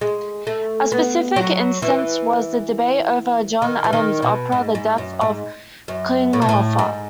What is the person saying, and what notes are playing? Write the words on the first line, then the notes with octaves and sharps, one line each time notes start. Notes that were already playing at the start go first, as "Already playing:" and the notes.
A specific instance was the debate over John Adams's opera "The Death of Klinghoffer".
G#3
A3
B3
F#3
E3
D#3
E3
D#3
B2
G#2
G#2
F#2
G#2
F#2
A2
B2
A2
G#2